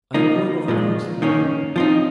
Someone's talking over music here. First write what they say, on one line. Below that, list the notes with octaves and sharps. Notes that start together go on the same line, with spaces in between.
"I am going over Croxley way."
F3 A#3 D#4
A#2 F3 G#3
D#3 A#3 C#4
F3 C4 D#4